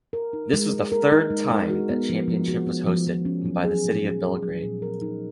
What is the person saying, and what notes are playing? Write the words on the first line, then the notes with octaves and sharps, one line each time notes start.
This was the third time that championship was hosted by the city of Belgrade.
A#4
D#4
G#3
G#3
A#4
D#4
G#3
G#3
F#4
B3
F3
F3
F#4
B3
F3
F3
C#4
F#3
G#4
A#2
C#4
F#3
G#4
A#2
A#4
D#4